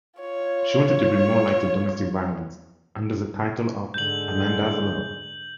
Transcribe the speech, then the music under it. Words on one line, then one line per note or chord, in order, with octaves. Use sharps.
She wanted to bring more light to domestic-violence, under the title of Amanda's Law.
F4 C#5
G#2 D3 G#3 G6 F#7